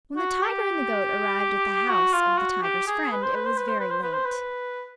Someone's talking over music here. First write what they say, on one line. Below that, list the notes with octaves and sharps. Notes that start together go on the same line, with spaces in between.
When the tiger and the goat arrived at the house of the tiger's friend it was very late.
F#4
G4
F#4
F4
F#4
G4
G#4
B4
C5
B4
C5
B4
C5
B4
C5
B4
C5
B4